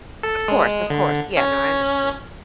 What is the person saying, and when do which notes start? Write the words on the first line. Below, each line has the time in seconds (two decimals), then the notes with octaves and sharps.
Of course, of course, yeah, no, I understood.
0.23 A4
0.48 G#3
0.90 D3
1.37 C#4